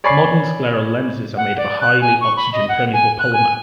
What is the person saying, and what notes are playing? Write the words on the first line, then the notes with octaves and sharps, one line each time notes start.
Modern scleral lenses are made of a highly oxygen permeable polymer.
C#5 D5 G#5 B5 C#6 C7
F#5
D5
F#6
G#5
C#6
B5
D#5
F#5
G#5
F#6
G#5